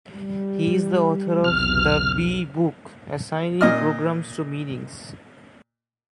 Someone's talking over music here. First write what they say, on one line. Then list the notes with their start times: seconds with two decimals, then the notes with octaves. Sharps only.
He is the author of "The B-Book: Assigning Programs to Meanings".
0.13 G3
1.44 B1 E2 C3 F6
3.61 A#2 D#5 F6